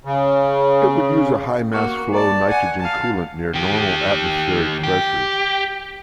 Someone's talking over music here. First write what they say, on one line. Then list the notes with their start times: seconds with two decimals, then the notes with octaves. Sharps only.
It would use a high mass-flow nitrogen coolant near normal atmospheric pressures.
0.05 C#3
1.72 A#3 F#4
2.13 D5 A5
2.49 F#5 G#5
2.80 F5 A5
3.54 D#3 G4
4.83 G4